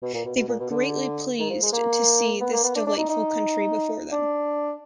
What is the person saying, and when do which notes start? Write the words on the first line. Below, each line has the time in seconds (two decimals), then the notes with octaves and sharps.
They were greatly pleased to see this delightful country before them.
0.02 B2
0.14 A#2
0.25 B2
0.36 B2
0.48 A#2
0.59 B2
0.71 D3
1.39 D#3
1.50 F3
1.62 G#3
1.73 A#3
2.41 B3
2.53 A#3
2.63 B3
2.75 D4
2.87 D4
2.98 D#4
3.09 D#4
4.12 D4